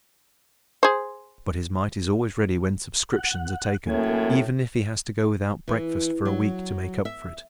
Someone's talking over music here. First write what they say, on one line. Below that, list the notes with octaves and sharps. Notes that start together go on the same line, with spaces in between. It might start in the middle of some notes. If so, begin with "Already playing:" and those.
But his mite is always ready when subscriptions are taken, even if he has to go without breakfast for a week to make up for it.
G#4 C5
F#5
F#2 A2 A#3 G#5
E3
F#3
E5